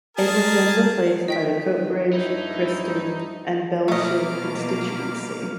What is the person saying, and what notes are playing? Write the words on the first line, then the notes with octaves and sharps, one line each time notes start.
It was then replaced by the Coatbridge, Chryston and Bellshill constituency.
G#4 A#4 A5
D#3 D#5 G5 B6
G2 D#4 E4
B2 A3 A#3 D#5 D6 F6